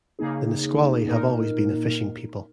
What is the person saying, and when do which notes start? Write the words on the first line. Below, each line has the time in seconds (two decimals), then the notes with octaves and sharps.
The Nisqually have always been a fishing people.
0.19 C#3 A#3 D#4 G#4
1.05 A#2 A#3 D#4 A#4